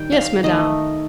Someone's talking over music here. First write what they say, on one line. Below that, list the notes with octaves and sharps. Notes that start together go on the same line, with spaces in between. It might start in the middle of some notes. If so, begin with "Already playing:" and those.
"Yes, madame."
Already playing: D#3 G3 G5
F5
D#3 A3 D#5